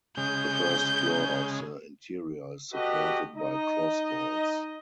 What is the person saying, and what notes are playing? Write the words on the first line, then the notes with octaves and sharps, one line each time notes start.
The first floor of the interior is supported by cross vaults.
C#3 G#3 G6
F#4 G4 A4 B4 D#5
D#4 D#5